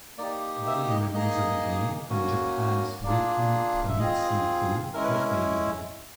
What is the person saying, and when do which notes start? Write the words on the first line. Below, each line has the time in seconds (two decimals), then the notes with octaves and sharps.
Early reviews of the game from Japan's "Weekly Famitsu Crew" were favorable.
0.18 A#3 D#4 G4 D5
0.66 E5
0.90 D#5
1.14 A#3 D#4 G#4 D#5
2.09 A#3 C#4 F#4
3.04 A#3 D4 F4 G#4 D5
3.89 E5
3.99 C4 F4 G#4 D#5
4.94 G#3 C#4 E4 A#4
5.04 B4
5.13 A#4